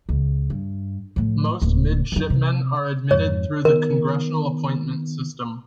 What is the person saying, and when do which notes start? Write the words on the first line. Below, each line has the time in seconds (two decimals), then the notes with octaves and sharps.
Most Midshipmen are admitted through the congressional appointment system.
0.09 C#2
0.50 G2
1.16 A2 F3
1.62 D1 D#2
2.12 F#2 D#3
2.30 C3
3.11 F2 G#2 C#5
3.65 D#3 B3 A#4